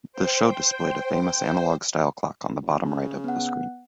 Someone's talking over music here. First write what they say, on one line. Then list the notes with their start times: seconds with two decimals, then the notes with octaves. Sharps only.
The show displayed a famous analogue-style clock on the bottom-right of the screen.
0.13 C5 G5
2.62 F#1
2.84 C#3
3.24 B3 F#5